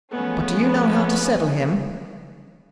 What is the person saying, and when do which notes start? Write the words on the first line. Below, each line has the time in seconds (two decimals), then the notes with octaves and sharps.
'But do you know how to settle him?
0.12 F3 F#3 G#3 A3 B3 C#4